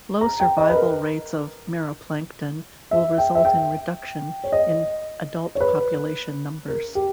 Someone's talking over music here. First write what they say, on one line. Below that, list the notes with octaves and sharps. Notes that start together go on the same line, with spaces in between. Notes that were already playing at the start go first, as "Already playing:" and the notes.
Low survival rates of meroplankton will result in reduction in adult population numbers.
A#5
G5
D#5
B4
A#4
E5
G5
E5
G5
C#5
D#5
C#5
B4
A#4
G4